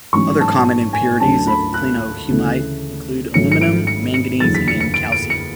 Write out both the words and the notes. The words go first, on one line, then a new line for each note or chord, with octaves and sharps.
Other common impurities of clinohumite include aluminium, manganese, and calcium.
A1 G#2 F#3 C#4 C#6
A5
G#5
D2 D3 F#3 C#4 A5
B5
F#6
D2 C#3 E3 A3
G#1 G#2 F#3 A3 C#4 C#7
C#7
D7
C#7
C#7
F#1 E2 D3 F#3 A6
B6
C#7
C#7
D7
D7
C#7